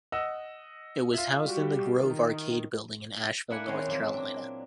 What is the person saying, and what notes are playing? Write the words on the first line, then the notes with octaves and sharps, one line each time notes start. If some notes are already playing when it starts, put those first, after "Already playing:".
It was housed in the Grove Arcade Building in Asheville, North Carolina.
D#5 F#5 E6
F4 E5
G3 F#4 G4
D#3
A#3 D4 E4 E5 F#5 G#5
D#3 G#3 C4 C#4 E4
A#2 E3 F#3 A#3 C4
D4